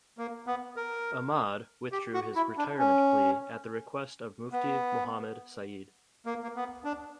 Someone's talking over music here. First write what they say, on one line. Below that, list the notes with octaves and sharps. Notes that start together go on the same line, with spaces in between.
Ahmad withdrew his retirement plea at the request of Mufti Mohammad Sayeed.
A#3
B3
A#4
G4
F#4
E4
D4
C#4
B3
A#3
A#3
B3
D4